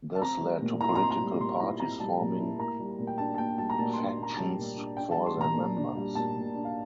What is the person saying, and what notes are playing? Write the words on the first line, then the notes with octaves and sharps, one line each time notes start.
This led to political parties forming factions for their members.
A5
C4 A#5
G3
A#2
E4 A#5
C6
A#5
C4 C6
A#5
G3
A#2 C6
E4 A#5
C4 A#5
G3 A5
A#2
E4
A#3 A#5
G3
A#2
G5
D4 A5
A5
A#3 G5
G3 A5
A#5
A#2 A5
C6
D4
C6
A#3
A#5
G3 A5
A#2
D4
D4 G5
A5
G3
C6
A#2 A#5
A#2
D4
G3
A#2 A5
A#2
D4
F5